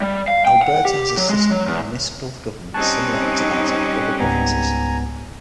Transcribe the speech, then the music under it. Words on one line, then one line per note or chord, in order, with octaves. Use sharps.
Alberta has a system of municipal government similar to that of the other provinces.
G3
F5
G5
F#5
G4
F#3
G#3
F#3
E2
G3 C4 C#4 D#4 G#5 A5 C#6 F#6
C#2 G#2 B3 G#5 A#5